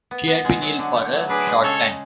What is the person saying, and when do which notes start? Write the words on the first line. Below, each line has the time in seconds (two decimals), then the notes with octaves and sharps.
She had been ill for a short time.
0.11 B3
0.28 B3
0.45 G#3
0.61 F#3
0.79 D3
0.96 A3
1.13 F#3
1.29 D4 G#4 B4
1.47 G#3
1.64 C#3 A4 C#5
1.80 C#3